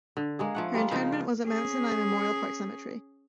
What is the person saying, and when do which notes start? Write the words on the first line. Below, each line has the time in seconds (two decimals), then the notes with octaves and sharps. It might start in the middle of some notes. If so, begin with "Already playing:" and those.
Her interment was at Mount Sinai Memorial Park Cemetery.
0.17 D3
0.39 G#3 A#3 G#4
0.55 F3 A3 F#5
0.74 G3 G#3 A#3 F4
0.91 C#3 F3 D#4 C5
1.12 F4
1.46 C#4 G#4